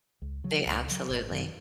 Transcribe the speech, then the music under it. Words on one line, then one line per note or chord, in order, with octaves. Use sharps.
They Absolutely
C#2
C#3 F#3
C#2
C#3 F#3
G#1
F#2 D#3